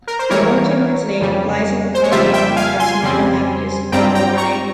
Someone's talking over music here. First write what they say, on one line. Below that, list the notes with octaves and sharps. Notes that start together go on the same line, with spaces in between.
The origin of its name lies in the cognate across Norman languages for Alderney.
A#4
C5
E3 G3 A#3 E4 A#4 C#5
F2 C#3 G3
C5
C#5
F2 C#3 G3 A#3 F4 C5 E5
E5 G5
F5 G#5
G#5 C6
F2 C#3 G3 C4
G2 G3 C4 F4 G5 A#5
G5 A#5
A#5 C#6